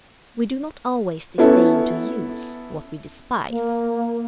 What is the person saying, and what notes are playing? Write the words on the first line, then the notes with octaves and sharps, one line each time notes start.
We do not always disdain to use what we despise.
B3 C#4 E4 A4
A#3